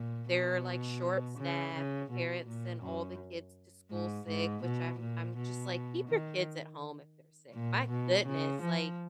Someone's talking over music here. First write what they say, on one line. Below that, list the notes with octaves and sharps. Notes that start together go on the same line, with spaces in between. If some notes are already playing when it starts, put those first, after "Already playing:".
they're, like, short-staffed. The parents sent all the kids to school sick, which I'm I'm just, like, "Keep your kids at home if they're sick." My goodness, like
Already playing: A#2
B2
C#3
C#3
B2
A#2
F#2
G#2
G#2
B2
A#2
B2
D#3
A#2
B2
C#3
F3